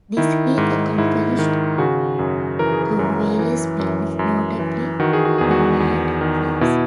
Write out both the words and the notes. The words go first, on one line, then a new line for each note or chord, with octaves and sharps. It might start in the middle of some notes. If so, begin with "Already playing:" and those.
This he accomplished through various means, notably the "Mad" trips.
D#3 E4
G#2
G#2 E4
D#3
C#3 F#4
F#2 G#4
E3 A#4
G#4
A#4
F#2
E3
F#2
F#2
E3
D#3 F#4
G#4
F#4
E2 G#4
F#4
E2
D#3
B2 E4